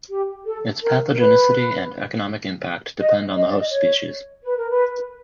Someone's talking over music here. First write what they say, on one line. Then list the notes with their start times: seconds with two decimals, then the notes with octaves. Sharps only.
Its pathogenicity and economic impact depend on the host species.
0.10 G4
0.46 A4
0.82 A#4
1.13 A#4
1.19 B4
2.99 D#5
3.36 D#5
3.47 D5
3.59 D#5
3.72 C#5
4.45 B4
4.57 A#4
4.69 B4